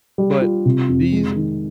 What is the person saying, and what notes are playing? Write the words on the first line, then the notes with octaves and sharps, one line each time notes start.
But these
G3
F4
C3
F2
G#3
D#3